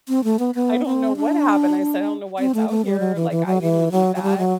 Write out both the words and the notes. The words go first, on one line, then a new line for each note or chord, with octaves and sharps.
I don't know what happened." I said, "I don't know why it's out here, like, I didn't eat that."
C4
A3
B3
B3
C4
D4
C4
A3
A3
G3
F#3
E3
E3
F#3
E3
F#3
F#3
G3
F#3